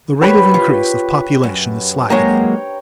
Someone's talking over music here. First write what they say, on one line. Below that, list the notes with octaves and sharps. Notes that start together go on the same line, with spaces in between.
The rate of increase of population is slackening.
G4 B4 C#5
F4
F#2
F#3 G#3 A#3 C#5 G5 A#5